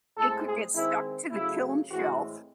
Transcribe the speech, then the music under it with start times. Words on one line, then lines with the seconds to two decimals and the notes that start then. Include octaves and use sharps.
it could get stuck to the kiln shelf.
0.17 A2 G#3 C4 A4
0.45 G#4
0.74 D#3 G#3 C4 E4
1.31 C#3 F#3 A3 E4
1.89 A2 E3 G#3 C4 F#4